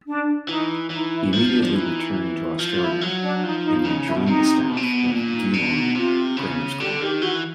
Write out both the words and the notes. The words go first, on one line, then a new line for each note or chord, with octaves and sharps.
He immediately returned to Australia and rejoined the staff of Geelong Grammar School.
D4
E3 D#4
E3 D#4
E4
F3 D#4
D4
F3
E3 D#4
F3
F4
E4
F#3
D4
F3 D#4
D#4
C#3 D#4
E4
B2
C3 D#4
B2
C3
B2
A#2 D4
D#4
B2 D4
D#4
C3 F4
C#3
D3 G4
D#3 G4
E3 F#4